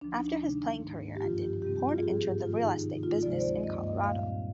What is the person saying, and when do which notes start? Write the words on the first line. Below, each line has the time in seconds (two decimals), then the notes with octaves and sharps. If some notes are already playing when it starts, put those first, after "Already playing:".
After his playing career ended, Horn entered the real estate business in Colorado.
0.01 D2 D3 F3 D4
0.15 D#4
0.28 D4
0.41 C3 D#3 G#3 D4
0.81 G#2 D#3 A#3
1.16 G4
1.22 G2 D3 F3 F4
1.42 G4
1.62 C3 G3 C4 G4
1.76 G4
1.89 F4
1.98 G#4
2.02 G#2 F3 A#3 G4
2.23 G4
2.43 G#2 D#3 A#3 F4
2.63 D#4
2.83 C3 D#3 A#3
3.03 F4
3.23 D2 C3 F3 G#3 C4 D5
3.32 C5
3.40 D5
3.63 G2 F3 A#3 D#5
3.84 D#5
4.03 A#2 G3 C4 F5